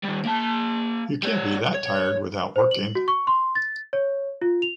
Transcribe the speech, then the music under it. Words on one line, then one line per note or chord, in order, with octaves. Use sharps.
You can’t be that tired without working.
D#3 G3
A#3 A5
G3 C#5
C#5
C5
F#7
F#4
C#6
C6
A6
C#5
F4
F7